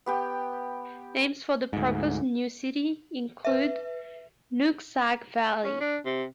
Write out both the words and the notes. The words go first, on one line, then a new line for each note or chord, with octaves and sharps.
Names for the proposed new city include "Nooksack Valley".
B3 G4 G5
D2 G#2
B4 E5
C#4
D4
C3